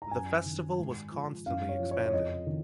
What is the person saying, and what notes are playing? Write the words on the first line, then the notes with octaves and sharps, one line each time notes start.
The festival was constantly expanded.
A#5
F#2 G#5
D#3
G#2
F3
F#2 F5
C#5
F3
C#5
C#5
F2 D#5
D#3